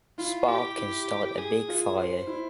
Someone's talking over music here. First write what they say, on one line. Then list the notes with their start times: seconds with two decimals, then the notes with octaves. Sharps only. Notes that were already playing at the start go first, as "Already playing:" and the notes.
Spark can start a big fire.
0.18 E4 F4
0.48 G4
0.78 E4
1.37 G#4
1.68 F4
1.97 C5
2.27 E4